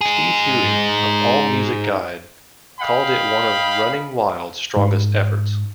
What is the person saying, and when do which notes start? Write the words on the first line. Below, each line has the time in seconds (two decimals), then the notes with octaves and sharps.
Steve Huey of All Music Guide called it one of Running Wild's strongest efforts.
0.01 D#4 G#4
2.80 D#5 F5 G5 B5
4.76 G#2